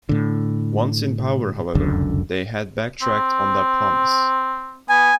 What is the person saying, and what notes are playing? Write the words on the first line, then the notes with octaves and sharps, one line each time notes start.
Once in power however, they had back-tracked on that promise.
A2 D3
F1 C#2 F#2 D3
C4
B3 G#5